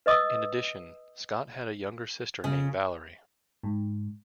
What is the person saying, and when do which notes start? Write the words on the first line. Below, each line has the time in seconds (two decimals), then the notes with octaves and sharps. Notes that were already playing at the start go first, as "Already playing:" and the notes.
In addition, Scott had a younger sister named Valerie.
0.06 B4 D#5 D#6 E6
2.44 C#3
3.63 G#2